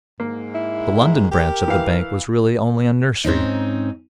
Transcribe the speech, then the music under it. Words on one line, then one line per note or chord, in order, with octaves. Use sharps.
The London branch of the bank was really only a nursery.
G#2 A#3
E4
G#2
G4 A#4
E3 F5
G#2 C4 C#4 D#4